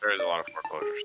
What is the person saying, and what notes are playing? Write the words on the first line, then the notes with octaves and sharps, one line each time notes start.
There is a lot of foreclosures.
D5
D7
A5
G#4